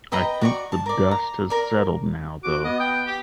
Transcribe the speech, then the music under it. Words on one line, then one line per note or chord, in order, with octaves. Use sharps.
I think the dust has settled now, though.
B4 D#5 G5 A#5
F#4 D5 C#6
A5
A#4 D5
A#5
A#4 D5
F#4 D6
B3 D#5
G5
G4